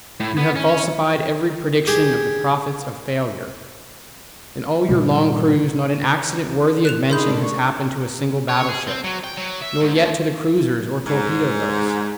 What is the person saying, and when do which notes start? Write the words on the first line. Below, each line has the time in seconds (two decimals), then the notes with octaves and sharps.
You have falsified every prediction of the prophets of failure. In all your long cruise not an accident worthy of mention has happened to a single battleship, nor yet to the cruisers or torpedo boats.
0.20 A2
0.37 B3
0.56 C#4
1.87 G4 G#4
4.89 G2 A#2 C#3 G3
6.85 F#6 E7 F7
7.10 D3 D#4 G#4 A#4 B5 C6 G6
7.27 A3 D4 D5
7.42 C#6
8.49 C#5
8.69 G#4
8.87 C4
9.04 F#3
9.24 G5
9.37 F#3
9.61 E5
9.80 G#2
9.94 D#2
11.07 G#2